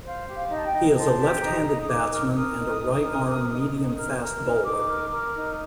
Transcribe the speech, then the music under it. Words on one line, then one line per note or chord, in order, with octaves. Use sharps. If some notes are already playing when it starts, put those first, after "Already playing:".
He is a left-handed batsman and a right-arm medium-fast bowler.
C5 F5
G4
F5
D#4
A5
G5
D#4
C5 A5
G4
D#4 A#5
D#4
D#6
D#4 D6
A#4
A#4 D#6
D#4
D#4
A#4
A#4
D#4
D#4
A#4
A#4
D#4
D#4 D6
A#4
A#4
D#4